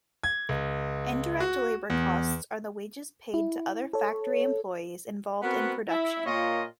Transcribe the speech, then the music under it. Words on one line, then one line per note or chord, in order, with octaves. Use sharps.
Indirect labor costs are the wages paid to other factory employees involved in production.
G#6
C#2
F#4
E2
E4
A4 C#5
B3 C4 F#4 A#4 B4
E4
A#2 A#3 F4 C#5 D#5